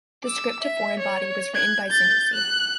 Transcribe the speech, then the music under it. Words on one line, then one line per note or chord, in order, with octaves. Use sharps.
The script to "Foreign Body" was written by Zanussi.
D6 E6
E5
C#5
F#6 G#6
G6 A6
F#6